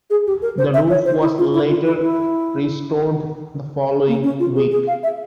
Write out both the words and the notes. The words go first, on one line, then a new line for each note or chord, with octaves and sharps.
The roof was later restored the following week.
G#4
G4
A#4
C5
E5
C#5
C5
E4
F4
E4
F4
E4
E4
A#3
C#4
F4
G#4
G#4
F5
E5